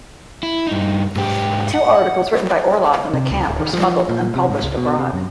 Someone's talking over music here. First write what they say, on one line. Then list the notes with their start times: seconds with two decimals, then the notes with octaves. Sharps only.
Two articles written by Orlov in the camp were smuggled and published abroad.
0.43 E4
0.67 G2 D#4
1.16 G#2 G4
1.74 F#5
3.14 C3
3.31 C#2
3.48 D1
3.59 D#3
3.73 F3
4.09 A#2
4.35 C3
4.49 G#2
4.63 C#2
4.77 B2
4.99 C3
5.13 F#2